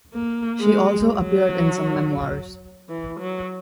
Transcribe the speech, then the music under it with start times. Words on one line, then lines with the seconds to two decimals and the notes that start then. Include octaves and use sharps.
She also appeared in some memoirs.
0.14 A#3
0.60 G#3
1.06 F#3
2.89 E3
3.20 F#3